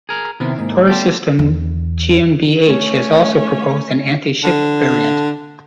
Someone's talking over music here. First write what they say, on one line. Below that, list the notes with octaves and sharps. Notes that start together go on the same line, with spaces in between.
Taurus Systems GmbH has also proposed an anti-ship variant.
G#4 A#4
C3 D#3 B3 C4 E4 F6
G#2 C3 A#3 D#4 D#5
D3 A3 D6
B3 F4 G4 D5 F#5 G5 A5 C6
E2
A3 C#4 C#5
D3